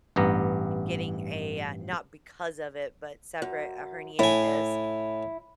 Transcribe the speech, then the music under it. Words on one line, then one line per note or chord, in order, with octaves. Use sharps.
getting a, uh, not because of it, but separate a herniated disc.
A1 G2 B3 A#5
F#2
A2 E4 G#5